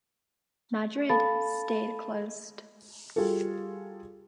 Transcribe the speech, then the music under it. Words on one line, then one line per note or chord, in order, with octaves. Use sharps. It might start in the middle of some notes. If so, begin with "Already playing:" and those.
"Madrid" stayed closed.
A4 F5 A5 B5 A6
G3 F4 F#4 G#4 A4